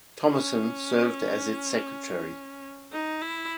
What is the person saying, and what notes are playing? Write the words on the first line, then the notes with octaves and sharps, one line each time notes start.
Tomasson served as its secretary.
C#4
D#4
E4